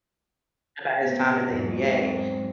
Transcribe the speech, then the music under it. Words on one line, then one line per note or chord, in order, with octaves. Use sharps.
about his time in the NBA,
A2 B3 C4
E2 G#2 F#3
C4